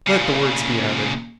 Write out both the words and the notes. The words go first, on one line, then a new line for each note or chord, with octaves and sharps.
Let the words be added.
A#2 C#3